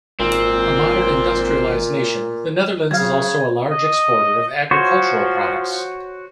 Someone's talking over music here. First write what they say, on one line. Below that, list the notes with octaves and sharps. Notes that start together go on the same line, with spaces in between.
A modern, industrialised nation, the Netherlands is also a large exporter of agricultural products.
G#1 A#2 C4
C#3 F#3 C4 F5 G#6
D#5
F3 F#4 C5 C#5